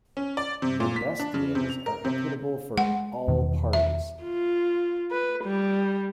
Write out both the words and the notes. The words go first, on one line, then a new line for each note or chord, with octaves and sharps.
The best deals are equitable for all parties.
C#4
D5
C3
A#2
B6
D4
C#3
C3
F7
A#4
C3
G#3 F#5
E2 B2 D#3
E5
F4
B4
G3